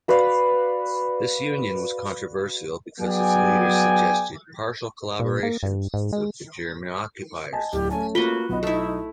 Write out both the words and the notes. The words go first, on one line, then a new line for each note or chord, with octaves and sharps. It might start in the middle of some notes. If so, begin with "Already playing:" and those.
This Union was controversial because its leaders suggested partial collaboration with the German occupiers.
F#4 B4 D5 F5
F#3 B3 G#4 D5 G5 G#5
A#2
A#3
G2
G#2
G#3
D#5 G#5 A5
D1 G4
A3 C#4 G#5 A5
A#3 F4 F#4 B4 G7
B1 B3 D#5
A3 D#4 E4